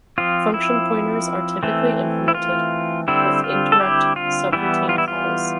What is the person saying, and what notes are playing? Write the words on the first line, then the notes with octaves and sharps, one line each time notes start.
Function Pointers are typically implemented with indirect subroutine calls.
F3 C4 F4
E4
E3 A3 C4
E4
F4
D3 G3 C4 E4
F4
A4
E4 G4
F4
E3 G3 B3 E4
F4
E4
F4